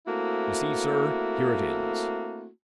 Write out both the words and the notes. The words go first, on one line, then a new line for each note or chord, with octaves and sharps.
You see, sir, here it is.
A3 A#3 C4 E4 F#4